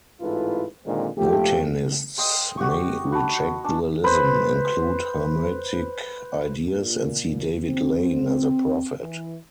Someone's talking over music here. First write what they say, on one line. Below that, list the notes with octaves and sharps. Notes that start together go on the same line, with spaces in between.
Wotanists may reject dualism, include Hermetic ideas, and see David Lane as a prophet.
A1 G#2 E4 F4 A4 B4
A#2 D3 D#3 G#3 C4
F3 A3 G4
D#5 G5 C6
F#4 G4 C#6
F#4 A5 B5
D4 G#5
B4 C5
A#2
C4
E3